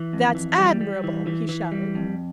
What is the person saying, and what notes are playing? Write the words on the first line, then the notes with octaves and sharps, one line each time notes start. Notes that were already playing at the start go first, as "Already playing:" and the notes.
"That's admirable!" he shouted.
Already playing: E3
F2
E3
G3
G3
E3
E3
E3
G3
F2